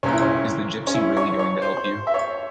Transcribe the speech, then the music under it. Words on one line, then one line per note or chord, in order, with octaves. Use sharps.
Is the gypsy really going to help you?
C2 A#2 C#4
E4
C#4
C#4
E4
C#5
C#5
C5
C5
E5
C#5